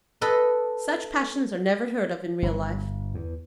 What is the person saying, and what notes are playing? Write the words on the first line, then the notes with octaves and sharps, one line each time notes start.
Such passions are never heard of in real life.
A4 B4 D#5
G1
E2